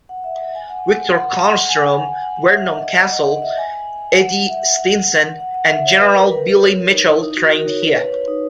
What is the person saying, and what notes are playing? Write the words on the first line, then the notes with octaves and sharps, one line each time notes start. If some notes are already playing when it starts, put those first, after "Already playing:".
Victor Carlstrom, Vernon Castle, Eddie Stinson and General Billy Mitchell trained here.
F#5
E5
G#5
F#5
F#5
F#5
G#5
F#5
G#5
F#5
G#5
F#5
E5
D#5
D#5
F#5
D#5
D#5
E5
G#5
F#5
E5
F#5
F#5
F#5
E5
C#5
B4
A#4
B4
B4
C#5
A#4
D#4
E4
D#4
F#4
A#4
C#5
B4
C#5
C#5
D#4